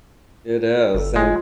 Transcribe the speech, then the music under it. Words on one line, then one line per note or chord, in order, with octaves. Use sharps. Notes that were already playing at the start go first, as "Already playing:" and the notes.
It is, and
G1 A4
G#3 F4